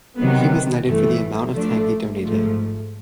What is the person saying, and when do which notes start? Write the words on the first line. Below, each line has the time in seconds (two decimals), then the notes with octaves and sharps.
He was knighted for the amount of time he donated.
0.17 C3 D#3 F#3 B3
0.86 G2 E3 A3
1.54 F3 A3 D4
2.22 G#2 F3 A3